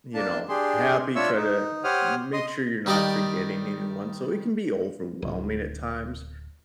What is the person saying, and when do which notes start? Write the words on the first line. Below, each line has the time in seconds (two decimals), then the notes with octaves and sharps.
you know, happy. Try to make sure you're not forgetting anyone. So, it can be overwhelming at times.
0.14 A#3 D4 A5
0.49 D4 G4 G#4 C6
1.15 D4 F4 C#5 E5 C#6 E6
1.36 D#4
1.84 G4 C5 C#5 F#5 D#6 F6
2.33 D#5 C6 D#6
2.86 D#3 G3 G4 D5 D#5 A#5
5.22 D1